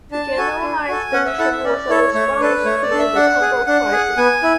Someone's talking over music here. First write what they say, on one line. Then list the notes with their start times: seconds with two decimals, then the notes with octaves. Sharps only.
To generalise, the mission was a response to the Congo Crisis.
0.11 D4 A5
0.37 F#4 A4 G#5
0.62 D4
0.88 F#4 A4
1.13 C#4 F#5
1.26 E5
1.38 E4 A4 F#5
1.52 E5
1.64 C#4 D5
1.89 E4 A4 C#5
2.14 A3 C#5
2.40 D4 A4 B4
2.65 A3 C#5
2.83 D5
2.91 D4 A4
2.99 E5
3.16 D4 F#5
3.41 G#4
3.66 D4 F#5
3.92 G#4
4.17 B3 G#5
4.43 E4